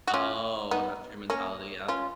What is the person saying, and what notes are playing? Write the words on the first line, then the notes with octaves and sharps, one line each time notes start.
Oh, that's your mentality. Yeah.
F#4
C#4 F4
B3 D#4
A#3 C#4
C#4 F4